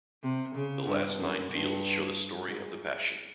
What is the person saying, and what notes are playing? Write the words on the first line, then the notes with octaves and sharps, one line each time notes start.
The last nine fields show the Story of the Passion.
C3
C#3
G2
F#2
G2
G#2